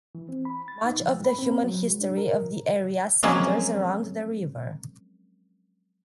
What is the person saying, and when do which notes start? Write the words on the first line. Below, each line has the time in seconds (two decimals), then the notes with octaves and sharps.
Much of the human history of the area centers around the river.
0.15 E3
0.29 C4
0.45 B5
0.68 A6
0.85 D#4
1.00 F3
1.24 B5
1.39 C4
1.64 F#3
1.86 G#3
2.01 D4
2.18 A#4
3.23 F3 F#3 G#3 A#3 C4 C#4